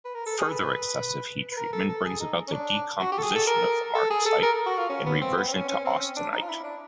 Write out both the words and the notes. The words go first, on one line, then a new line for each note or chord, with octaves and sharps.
Further excessive heat-treatment brings about the decomposition of the martensite and reversion to austenite.
B4
A#4
A4
G#4
B4
B4
A#4
A4
A4
G#4
D#4
C#4
D4
F#4
G4
A4
G#4
A4
A#4
A4
G#4
A4
A#4
F#4
F4
C#4
B3
C4
B3
C4
C#4
C#4
C4
C#4
D4
D#4
F4
E4
D4